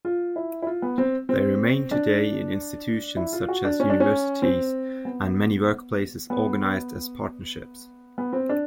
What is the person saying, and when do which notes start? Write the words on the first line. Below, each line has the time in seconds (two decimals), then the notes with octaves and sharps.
They remain today in institutions such as universities, and many workplaces organised as partnerships.
0.05 F4
0.36 E4
0.62 E4
0.67 F4
0.82 B3
0.98 C4
1.29 C4
1.91 D4
3.17 E4
3.33 F4
3.49 F#4
3.65 D4
3.80 C#4
3.90 D4
4.00 C#4
4.42 C4
5.05 B3
6.30 B3
8.18 B3
8.33 C4
8.49 D4